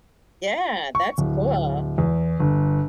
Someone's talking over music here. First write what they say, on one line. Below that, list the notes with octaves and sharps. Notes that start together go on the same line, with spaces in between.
Yeah, that's cool.
C#6
D1
E2
G1